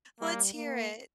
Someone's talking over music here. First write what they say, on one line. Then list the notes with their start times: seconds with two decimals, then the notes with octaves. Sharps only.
Let's hear it.
0.21 G3 A#3
0.54 A#3